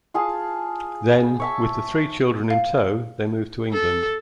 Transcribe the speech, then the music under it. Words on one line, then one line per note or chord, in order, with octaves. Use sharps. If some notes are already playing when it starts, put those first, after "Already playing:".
Then with the three children in tow, they moved to England.
F4 G#4 A5
C#5 E5 A5
F5
A4